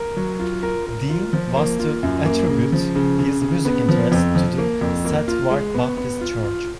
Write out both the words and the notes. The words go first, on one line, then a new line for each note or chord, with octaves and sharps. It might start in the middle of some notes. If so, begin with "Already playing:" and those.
Dean was to attribute his music interest to the Seth Ward Baptist Church.
Already playing: A#4
F#3
F4
A#4
A#4
F4
F3
A#3
F4
F#2
A#3
C#3
F3
C#3
C#3
C#3
B3
F3
F2
F3
A#3
F2
A#3
F4
G#3
B3
B3
F4
F4